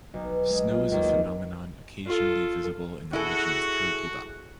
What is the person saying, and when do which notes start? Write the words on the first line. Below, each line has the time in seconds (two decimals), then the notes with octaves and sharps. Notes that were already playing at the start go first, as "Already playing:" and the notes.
Snow is a phenomenon occasionally visible in the region of Curitiba.
0.14 B1
0.50 G#3
0.71 F4
0.91 D#2
1.09 F4
2.07 F4 A4
3.13 E4 F#4 G#4 A4